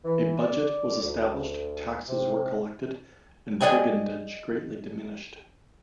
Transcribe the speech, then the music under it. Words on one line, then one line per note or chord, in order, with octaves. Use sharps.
A budget was established, taxes were collected, and brigandage greatly diminished.
E3
D5
D2
C3
G#4 B4 D5 D#5 G5 G#5